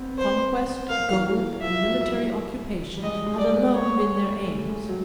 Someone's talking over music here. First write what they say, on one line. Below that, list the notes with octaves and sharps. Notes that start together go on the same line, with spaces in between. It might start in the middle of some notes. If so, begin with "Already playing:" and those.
Conquest, gold, and military occupation had alone been their aims.
Already playing: B3 C4
C5
A#3 F5
E3
E3
F3 E5
F#3
G3
G3
G#3 D#5
G#3
D5
G#3
A3 C#5
G#3
G3
A3
G#3
F#3